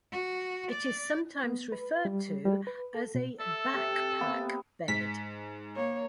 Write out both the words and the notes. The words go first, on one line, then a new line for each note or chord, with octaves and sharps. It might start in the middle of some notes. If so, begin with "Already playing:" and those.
It is sometimes referred to as a "backpack bed".
F#4
D5
B3
B4
G3
G3
B4
A4
B2
A4 E5
C3
C3 A#3 B3
G#2 B6
A#3 C#5